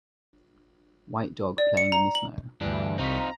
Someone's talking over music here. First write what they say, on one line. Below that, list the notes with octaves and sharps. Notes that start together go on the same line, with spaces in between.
White dog playing in the snow.
D5
C#7
A#5
F#7
D2 G2 E3 D4
C2 C4 D#4 F4 C#6 B6
A#5